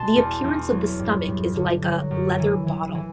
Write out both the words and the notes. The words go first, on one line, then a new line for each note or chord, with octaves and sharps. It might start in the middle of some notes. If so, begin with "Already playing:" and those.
The appearance of the stomach is like a "leather bottle".
Already playing: B2 A5 C6
E2
E2
F#3
G2
G2
D3
F#3
F#2
E3
E3
E3